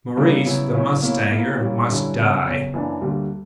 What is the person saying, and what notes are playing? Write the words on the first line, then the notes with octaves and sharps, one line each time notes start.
Maurice, the mustanger, must die!
C#3 G3 A#3 E4
C#3 F#3 B3 E4
C#3 F#3 C#4 E4
B2 A#3 C#4 E4
B2 A#3 E4
A#2 G3 A#3 C#4 E4
F#2 D3 G3 C#4 E4
F#2 C#3 F#3 B3
E2 C#3 F#3 C#4
F#2 E3 A#3 D4
D2 D3 G3 A#3